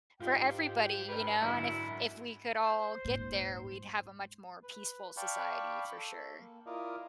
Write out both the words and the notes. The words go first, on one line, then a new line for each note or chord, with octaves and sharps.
for everybody, you know, and if if we could all get there, we'd have a much more peaceful society for sure.
G#2 D#4 F4 G4 C5 G5 C6
G#1 G2 B4
B1 F#2 D3 E4
C5
D#1 G#2
B4
D5 F5 G5 A5 B5 C#6
A4
A#3
E4 F4 A#4 D5 D#5 F5